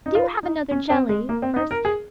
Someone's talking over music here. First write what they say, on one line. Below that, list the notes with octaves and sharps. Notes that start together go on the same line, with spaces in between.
Do have another jelly first.
D#4
F4
D#4
C#4
C4
G#3
A#3
C4
D#4
A#4
G#4